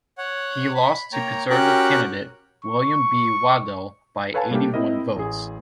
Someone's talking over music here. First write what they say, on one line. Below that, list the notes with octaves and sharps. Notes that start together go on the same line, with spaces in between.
He lost to Conservative candidate William B. Waddell by eighty-one votes.
C#5 F#5
B5
A#3 C#5 G5 A#5
C#4 F#4 G4 A#4 G5 F#6
C#6
A4 B4 C#5 F5 G#5 A5
G3 A3 A#3 D4 G4
C4 E4 A#4 D#5
A1 G#4